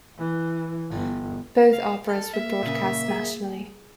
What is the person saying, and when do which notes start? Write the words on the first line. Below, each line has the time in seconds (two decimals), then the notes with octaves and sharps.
Both operas were broadcast nationally.
0.18 E3
0.91 G1
1.73 F5
2.09 A4 F6
2.34 A#3 E5
2.62 A#2 C#3
3.08 G#4